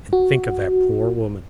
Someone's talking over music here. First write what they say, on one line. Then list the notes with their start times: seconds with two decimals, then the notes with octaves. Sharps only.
And think of that poor woman!
0.13 F#4